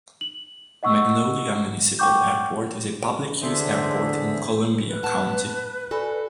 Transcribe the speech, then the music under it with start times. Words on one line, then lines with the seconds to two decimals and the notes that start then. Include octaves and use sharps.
Magnolia Municipal Airport is a public-use airport in Columbia County.
0.21 F#7
0.83 D#5 F#5 C#6 E6
1.99 F#5 G5 C#6 D6 G6
3.42 E2 D3 G#4 C5 E5
4.88 B4
5.03 B3 F#5 A5
5.91 F#4 A4 D5 G#5 B5